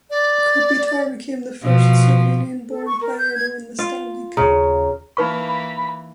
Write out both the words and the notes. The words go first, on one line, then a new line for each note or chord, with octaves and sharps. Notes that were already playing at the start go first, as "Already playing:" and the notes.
Kopitar became the first Slovenian-born player to win the Stanley Cup.
D5
B2 F3
A4
C#6
A#4
G6
G#6
F4 F5
D#2 C#3 C#5 A#5
E3 A#3 D#4 B4 B5 C#6